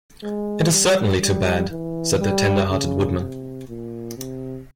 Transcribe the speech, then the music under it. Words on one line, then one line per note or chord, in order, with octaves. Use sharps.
It is certainly too bad! said the tender hearted Woodman.
G#3
G3
G3
E3
G3
C#3
C3
A#2
C3